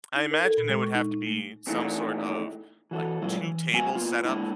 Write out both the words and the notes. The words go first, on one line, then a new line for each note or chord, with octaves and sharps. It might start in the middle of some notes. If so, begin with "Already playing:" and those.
I imagine there would have to be some sort of, like, two-table setup
D#4
A#4
A4
A#2
G#3
C#6
D#4
D#4
A3
E2 A#2 D#3 E3 A3
E3 F#4 A4
A#2 F#3 G#3 E4 F4
E3
F#2 F#3 G#3 B3 F#4 G#5
A#3 B3 F4
G#3 A#3 D4 E4